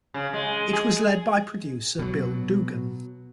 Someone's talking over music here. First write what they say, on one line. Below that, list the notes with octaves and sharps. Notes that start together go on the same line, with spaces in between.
It was led by producer Bill Dugan.
C#3
G#3
G#4
B2 F#3